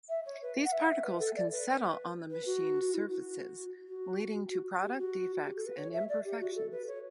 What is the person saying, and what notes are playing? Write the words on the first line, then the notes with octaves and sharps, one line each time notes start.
These particles can settle on the machined surfaces, leading to product defects and imperfections.
E5
C#5
B4
F#5
E5
F#5
E5
B4
A4
D5
B4
B4
F#4
F#4
E4
F#4
F#4
F#4
G4
F#4
G4
A4
B4
C#5
E5
D5
G4
F#4
A4
B4
C#5